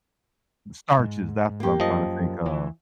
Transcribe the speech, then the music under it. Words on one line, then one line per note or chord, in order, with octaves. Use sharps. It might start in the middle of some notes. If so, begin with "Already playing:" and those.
starches, that's what I'm trying to think of.
G#2
A#3 G4
F#2 F3 D#5
E3